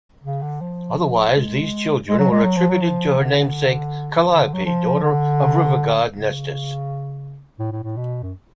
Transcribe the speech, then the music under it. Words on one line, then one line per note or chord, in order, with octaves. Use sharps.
Otherwise these children were attributed to her namesake Calliope, daughter of river-god Nestus.
C#3
D3
F3
G#3
G#3
F#3
G#3
F#3
F3
F#3
F3
D3
D3
D3
F#3
F3
D3
C#3
A2
A2
A2
B2
F#2